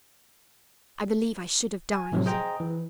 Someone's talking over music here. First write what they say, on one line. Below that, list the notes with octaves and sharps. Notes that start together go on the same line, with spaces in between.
I believe I should have died.
G#5
A2 C3 D#3 F3 F#3
G#4 C5 D#5 G5 A#5
E3